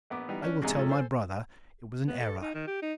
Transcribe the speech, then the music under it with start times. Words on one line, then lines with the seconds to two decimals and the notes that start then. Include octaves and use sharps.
"I will tell my brother it was an error."
0.10 A#1 B3 D6
0.29 E3 G3 B3 D#4
0.41 C#4 D4
0.62 E2 G#2 C3 G#3 D#4 G#5
0.76 F3 G#3 C#4 A4
0.89 A4 C5 G#5
2.07 B3
2.20 A4
2.41 D#4
2.54 D#3
2.67 G4
2.82 D#4